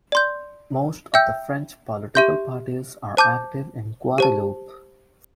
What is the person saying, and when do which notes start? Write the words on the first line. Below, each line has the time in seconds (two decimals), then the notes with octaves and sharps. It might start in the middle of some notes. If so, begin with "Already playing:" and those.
Most of the French political parties are active in Guadeloupe.
0.12 D5 C6 G6
1.14 E5 G5 E6 G6
2.15 G4 E5 C6 G6
3.17 C5 A5 D6 G6
4.18 G4 C5 A5